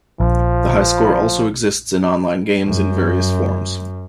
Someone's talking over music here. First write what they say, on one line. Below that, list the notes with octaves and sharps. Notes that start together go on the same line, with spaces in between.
The high score also exists in online games in various forms.
A#1 F3
F#2